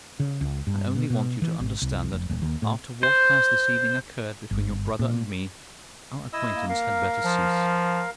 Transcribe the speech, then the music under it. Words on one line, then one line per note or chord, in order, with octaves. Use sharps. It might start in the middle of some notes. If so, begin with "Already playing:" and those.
"I only want you to understand that after what has this evening occurred between your brother and me, our acquaintance had better cease."
C#3
C#2
G2
B2
B2
E3
G#1
C2
F1
D#1
D#2
A2
C5
G1
A#2
E4 D#5 E6
A#3
A#4 F5
F3